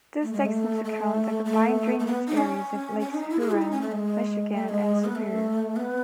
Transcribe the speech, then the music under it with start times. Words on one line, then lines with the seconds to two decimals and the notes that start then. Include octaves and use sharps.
This takes into account the combined drainage areas of Lakes Huron, Michigan, and Superior.
0.22 A3
0.33 G#3
0.46 A3
0.85 A3
1.45 A3
1.99 A3
2.07 B3
2.28 D#4
2.38 C#4
3.00 C#4
3.14 D#4
3.30 E4
3.40 G#4
3.51 E4
3.62 D#4
3.71 C#4
3.81 A3
3.92 G#3
4.53 A3
4.69 G#3
5.05 B3
5.15 A3
5.76 B3